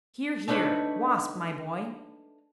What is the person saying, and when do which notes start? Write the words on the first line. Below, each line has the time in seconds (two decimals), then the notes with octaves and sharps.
"Here, here, Wasp, my boy."
0.48 A3 D4 D#4 B4 C#5